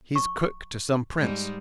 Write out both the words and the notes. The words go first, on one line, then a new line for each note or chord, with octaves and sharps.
"He's cook to some prince."
C#6
G#2 G3 G#3